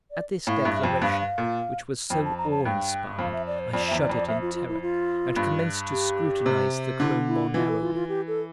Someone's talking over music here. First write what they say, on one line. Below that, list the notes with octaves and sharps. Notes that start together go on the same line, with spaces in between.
At this declaration, which was so awe-inspiring, I shuddered in terror, and commenced to scrutinize the crone more narrowly.
D5
A2 F5
E5
G2
E5
F2 G5
G2 F5
A#2
F2 G5
A5
A#5
A5
G2 G5
F2 F5
E5
D5
C5
F2 D5
E2 E5
D5
F2
D5
F2 E5
F4
F4
E4
F4
G2
G4
C3
D3 E4
E4
E3 F4
A4
F4
F4
G4
A4